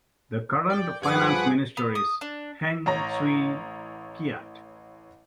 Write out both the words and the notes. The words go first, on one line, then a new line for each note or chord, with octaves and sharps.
The current Finance Minister is Heng Swee Keat.
D5 G5
G2 F3 G#4 B4 F#5 D6
B3
D#6
D4
A1 C#5 A#5 A#6